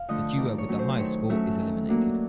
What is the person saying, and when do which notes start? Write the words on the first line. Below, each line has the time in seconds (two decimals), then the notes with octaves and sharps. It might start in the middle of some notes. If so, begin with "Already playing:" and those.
The duo with the highest score is eliminated.
Already playing: F5
0.08 D3 F3 A3 D#5
0.38 D#3 D5
0.58 C#5
0.69 F#3 A3 C#4
0.79 C5
0.99 D#3 C#5
1.29 F#3 A3 C#4 E5
1.59 D#3
1.89 F#3 A#3 D4